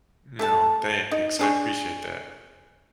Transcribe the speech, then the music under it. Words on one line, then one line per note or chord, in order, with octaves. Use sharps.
No, thanks, I appreciate that.
A3 A4 A5
D#4
D4 G#4 C#6